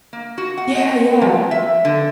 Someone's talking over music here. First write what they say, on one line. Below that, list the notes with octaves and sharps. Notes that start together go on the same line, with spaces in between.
Yeah, yeah.
A#3
F#4
F#5
D#5
F3
E5
D3